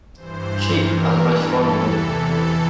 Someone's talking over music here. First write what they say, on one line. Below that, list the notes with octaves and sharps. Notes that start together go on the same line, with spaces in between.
Sheep are the most vulnerable.
G2 E3 C5
G2 E3 A#4
G2 E3 A4
E2 C3 E3
F2 E3 A4